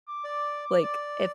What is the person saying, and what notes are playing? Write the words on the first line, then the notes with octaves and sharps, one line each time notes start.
Like, if
D6
D5
D5